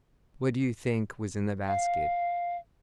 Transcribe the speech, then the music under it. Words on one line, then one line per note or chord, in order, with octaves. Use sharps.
What do you think was in the basket?
F5